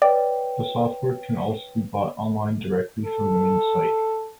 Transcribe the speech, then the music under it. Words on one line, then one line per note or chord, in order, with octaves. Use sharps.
The software can also be bought online directly from the main site.
B4 C#5 D5 G5
A4